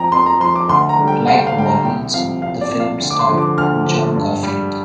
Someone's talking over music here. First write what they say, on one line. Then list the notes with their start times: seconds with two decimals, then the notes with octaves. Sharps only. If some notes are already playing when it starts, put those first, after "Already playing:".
Like "Body and Soul", the film starred John Garfield.
Already playing: F2 F3 G5 A#5
0.12 F2 C6
0.26 A#5
0.40 F3 C6
0.56 D6
0.69 D2 C6
0.89 A#5
0.99 D3 G3
1.08 G5
1.27 D2 F5
1.38 G5
1.47 F5
1.56 D3 G3 G5
1.66 A#5
1.84 C2 G5
2.14 C3 F3 F5
2.42 C2 F5
2.61 D5
2.71 C3 F3
2.80 F5
3.00 D2
3.10 D6
3.19 C6
3.29 D3 F3
3.38 D6
3.57 D2 F6
3.86 D3 F3
4.15 G2
4.43 G3